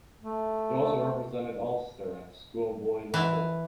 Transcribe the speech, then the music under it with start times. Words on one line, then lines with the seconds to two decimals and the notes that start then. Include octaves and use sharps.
He also represented Ulster at schoolboy level.
0.22 A3
3.14 E3